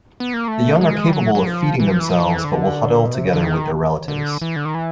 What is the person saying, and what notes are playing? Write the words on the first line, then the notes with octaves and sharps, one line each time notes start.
The young are capable of feeding themselves but will huddle together with their relatives.
B3
A#3
A3
G#3
G3
F#3
F#3
F3
E3
F3
E3
F3
E3
D3
B2
C3
C#3
D3
D#3
D3
E3
D3
D#3
E3